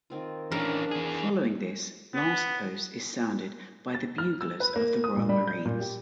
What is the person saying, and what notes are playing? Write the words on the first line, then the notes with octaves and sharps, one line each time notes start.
Following this, "Last Post" is sounded by the buglers of the Royal Marines.
D#3 C4 F4
E3 C#4 D4 A#4 C5 F5 G5
E3 G#4
B3
A6
F6
E6
B4
A#3
D#6
A#2
G3
G6
A#2
G4